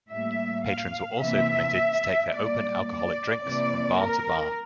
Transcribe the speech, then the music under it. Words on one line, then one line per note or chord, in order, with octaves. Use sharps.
Patrons were also permitted to take their open alcoholic drinks from bar to bar.
A2 G3 A#3 E5
F5
C3 E3 A#3 E5
A#2 G3 A#3 D5
D5
C3 E3 A#3 D5
A#4